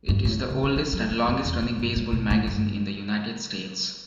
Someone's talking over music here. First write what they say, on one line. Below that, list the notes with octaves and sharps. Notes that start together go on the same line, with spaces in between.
It is the oldest and longest-running baseball magazine in the United States.
G2
A2
B2
C#3
E3
E3
F#3
E3
F#2
E2
F#2
G2
A2
B2
A2
G2